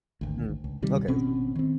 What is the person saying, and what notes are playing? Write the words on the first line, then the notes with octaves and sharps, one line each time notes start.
Mm. Okay, I see
G#1 D2
C#2
C3 D#3 G3
G#1 B2 C4 C#4
D#3 C4